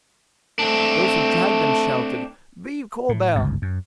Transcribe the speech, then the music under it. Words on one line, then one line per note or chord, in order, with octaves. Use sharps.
Those who dragged them shouted, "Vive Colbert!"
A3 C4 D4
A2
G1 C#2 G#2
F#2